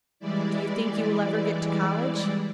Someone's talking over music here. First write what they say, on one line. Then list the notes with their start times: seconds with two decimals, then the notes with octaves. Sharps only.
"Do you think you will ever get to college?"
0.20 E3 G3 G#3 E4 D5